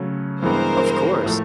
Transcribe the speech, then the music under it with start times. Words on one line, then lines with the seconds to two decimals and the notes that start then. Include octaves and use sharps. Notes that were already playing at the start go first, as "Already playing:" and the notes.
Of course.
Already playing: C#3 F#3 A3 C#4
0.42 G2 E3 G#3 B3 A#4 C5
1.24 A2 F3 A3